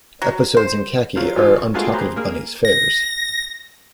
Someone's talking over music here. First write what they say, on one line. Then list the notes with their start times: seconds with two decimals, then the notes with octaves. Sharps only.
Episodes in khaki are Untalkative Bunny's fairs.
0.22 F#3
0.57 C5
1.16 F#3 C#4 F4 A#4 C5
1.36 G#2 E3 F3 F4 E6
1.58 C#6
1.74 G#3 A3 B3 F4 F#4 G#4
1.93 G4 G#4 B4 C5 A#5 C6
2.16 A#3 G#4 A#4 F6
2.65 A#6